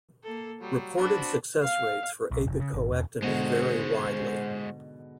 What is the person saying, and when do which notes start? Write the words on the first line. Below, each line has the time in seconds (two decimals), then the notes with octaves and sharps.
Reported success rates for apicoectomy vary widely.
0.23 A#3 A4
0.61 F#3 G3
0.97 C4 D4 F#4 B5
1.63 F5
2.31 B1
2.47 F1
2.60 C#3
2.74 G#1
2.92 E1
3.22 G#2 B2 D3 G#3 F#4 C5